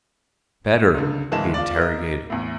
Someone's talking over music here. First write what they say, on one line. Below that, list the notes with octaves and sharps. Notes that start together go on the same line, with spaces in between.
"Better?" he interrogated.
C#2 D3
D1 E3 G#3 A#3 A5 E7
F4 D5
A#4 D#5
E2 A2